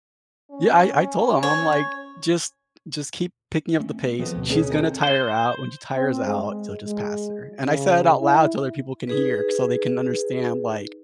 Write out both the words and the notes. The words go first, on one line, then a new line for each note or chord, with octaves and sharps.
Yeah, I I told him, I'm like, "Just just keep picking up the pace. She's gonna tire out. When she tires out, so, just pass her." And I said it out loud so other people can hear, so they can understand, like,
C#4
C#5
A3 C4 C#4
F2 F3 B3
D2 B2
B3 C#4 G#4
D#3 C4 A4
C5
C4
G#3
G#3
C#3
E4
D#4 G#4 B4